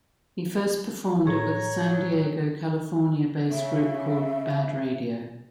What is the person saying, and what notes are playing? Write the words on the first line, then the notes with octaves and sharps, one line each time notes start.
He first performed it with a San Diego, California-based group called Bad Radio.
A2 G#4 C#5 A#5
F#3
C#3 E5